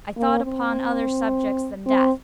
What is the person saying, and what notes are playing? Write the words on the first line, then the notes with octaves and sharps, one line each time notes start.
I thought upon other subjects than Death.
A#3
C4
C4